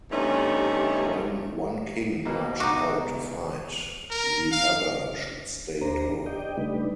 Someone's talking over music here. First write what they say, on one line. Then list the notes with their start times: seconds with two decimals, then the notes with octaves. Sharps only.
When one king marched out to fight, the other should stay at home.
0.11 E2 G2 C3 A3 C#4 D#4
2.25 B2 A#3
2.60 C#2 B2 D#4 F#4 D6
4.10 A#4
4.52 F5
5.81 D#2 D4 C5 A#5
6.26 G4 D5 D#5 G5
6.57 C#3 G3 A3 D4 D#4 B4